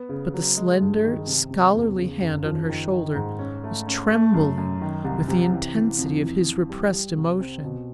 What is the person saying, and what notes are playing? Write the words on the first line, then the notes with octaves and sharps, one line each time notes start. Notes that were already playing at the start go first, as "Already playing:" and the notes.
But the slender, scholarly hand on her shoulder was trembling with the intensity of his repressed emotion.
Already playing: B3
C#3
F#3
G#3
G2
D#3
C3
C3
E2
C#3
F#1
F3
D#3
D#3
G#2
C#4
A3
C#4
A3
F#2
F#2
D#3
C2
C3
E3
E3
F2
E3
E3
G3
G3
C2
C4
B2